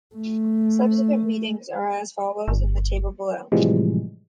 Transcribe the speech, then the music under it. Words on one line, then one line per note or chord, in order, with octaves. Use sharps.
Subsequent meetings are as follows in the table below.
A3
G1
A2 C3 E3 F3 G3 G#3